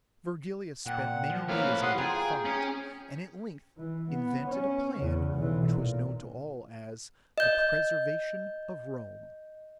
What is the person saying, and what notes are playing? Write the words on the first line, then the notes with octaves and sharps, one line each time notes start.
Virgilius spent many days in deep thought, and at length invented a plan which was known to all as the 'Preservation of Rome.'
A#2 F#5 G5
F3
A2 A#3 B4 C#5 F6
G4 F#5 C6 D#6
F4 G#4 G5 A#5
C#4 G#4
E3
B3
C#4
E2 C#3
B1 E3
A#2
D#5 G6